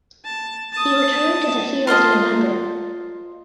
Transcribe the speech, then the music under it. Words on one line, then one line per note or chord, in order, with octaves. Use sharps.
He returned to the field in November.
A5
A5 D#6
F4 C5 D#5 A5